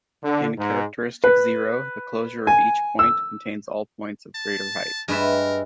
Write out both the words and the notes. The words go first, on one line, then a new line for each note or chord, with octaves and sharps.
In characteristic zero, the closure of each point contains all points of greater height.
D3
G#2
B4
G#5
E6
A5
G2 G#3 A#4 B4 E5